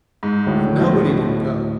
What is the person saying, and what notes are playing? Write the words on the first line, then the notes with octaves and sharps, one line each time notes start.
And nobody didn't go.
G#2
D2 A2
B2 F3